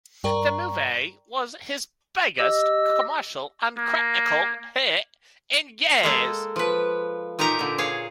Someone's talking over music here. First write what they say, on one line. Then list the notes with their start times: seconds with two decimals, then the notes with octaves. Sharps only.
The movie was his biggest commercial and critical hit in years.
0.24 G2 A#4 D5 G5 A#5 C#6
2.39 G4 D#5 E6
3.78 A#3
6.03 G#3 A#3 A4
6.56 F3 B4
7.39 A#2 D#4 G4 A#4 A#5
7.59 A#2 D3
7.78 G#4 C#5 F5